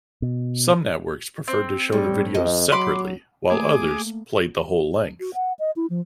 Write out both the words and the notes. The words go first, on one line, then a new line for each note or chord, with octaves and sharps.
Some networks preferred to show the videos separately while others played the whole length.
B2
C4
A2 G3
F2 D#5
F#3 B5 C6 D6
A3 A#3 G#4 D6
F#4
F#5
D#5
E4
F3